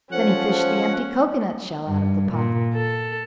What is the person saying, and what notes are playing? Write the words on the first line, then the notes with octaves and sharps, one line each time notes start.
Then he fished the empty cocoanut shell out of the pot.
F3 C#4 A4 C5 F#5 F#6
G2
A#2
A4